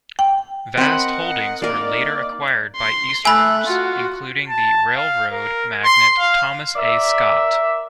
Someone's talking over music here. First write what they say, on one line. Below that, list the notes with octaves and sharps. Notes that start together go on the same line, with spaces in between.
Vast holdings were later acquired by Easterners, including the railroad magnate, Thomas A. Scott.
G5
C4 A#4 D#5 F#5 B5
A#3 D#4 A#4 D5
C6
A3 E5 G#5 B5 F#6
F4 F#4
A5
F5
A#4
C6
F5
A#4 D5 E5